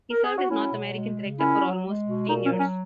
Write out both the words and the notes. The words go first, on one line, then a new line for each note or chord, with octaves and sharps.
He served as North American Director for almost fifteen years.
A#4
G#4
F#4
F#3 C#4 E4
B2
G#3
C#3
A#2 C#4 E4
F#3
G#3
B2
A#2 D#4
C#4
F#3
C#4